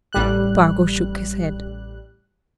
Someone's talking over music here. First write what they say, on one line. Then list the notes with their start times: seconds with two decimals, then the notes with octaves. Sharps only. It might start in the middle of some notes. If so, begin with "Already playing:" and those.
Spargo shook his head.
0.13 A1 G3 F#6